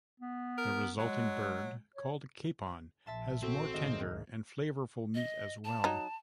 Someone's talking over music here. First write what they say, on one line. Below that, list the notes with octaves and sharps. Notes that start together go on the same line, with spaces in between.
The resulting bird, called a capon, has more tender and flavorful meat, as well.
B3
A#4
F#3 G#3
C#5
A#1 E5 A5 C6
C4 F#4 A4
G#1 D2 A2 D#5
D#5
A5
F#3 D#4